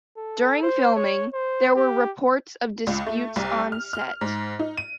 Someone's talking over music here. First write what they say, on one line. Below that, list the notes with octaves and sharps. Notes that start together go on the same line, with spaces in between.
During filming, there were reports of disputes on set.
A4
C5
C#5
C5
G4
C#2
A3
C2
F6
F6
G#2
D#4
D#7